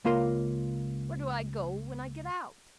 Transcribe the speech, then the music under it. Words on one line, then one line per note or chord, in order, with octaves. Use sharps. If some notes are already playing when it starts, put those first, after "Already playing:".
"Where do I go when I get out?"
C#2 A#3 F4 A#4 C6